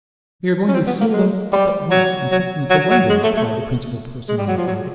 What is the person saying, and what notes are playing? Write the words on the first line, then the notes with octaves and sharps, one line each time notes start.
"We are going to seal them up at once, and take them to London," replied the principal person in authority.
C#4
C4
B3
A#3
G#3
G3
F#3
F#3
F#3
F#3
G#3
A3
A3
G#3
G3
F#3
F3
F#3